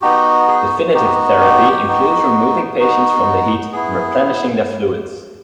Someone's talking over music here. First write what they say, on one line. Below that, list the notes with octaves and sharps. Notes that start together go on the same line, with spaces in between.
Definitive therapy includes removing patients from the heat and replenishing their fluids.
B3 D#4 F#4 G4
G#4
B3 D#4 F#4 G4
G4
B3 D#4 F#4
B3 D#4 F#4
B3 E4 G#4